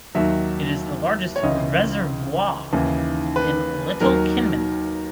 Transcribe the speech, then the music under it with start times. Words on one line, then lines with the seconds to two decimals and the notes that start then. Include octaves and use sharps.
It is the largest reservoir in Little Kinmen.
0.15 D#2 D#3 F#3 E5
1.36 C#5
1.43 C#2 C#3 E3 D#5
2.73 D#2 C#3 E3
3.36 B4
4.01 D#2 D#3 F#3 A#4